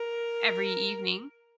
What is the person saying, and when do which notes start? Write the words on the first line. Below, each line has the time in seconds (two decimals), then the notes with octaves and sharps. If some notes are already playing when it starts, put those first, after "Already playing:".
every evening.
Already playing: A#4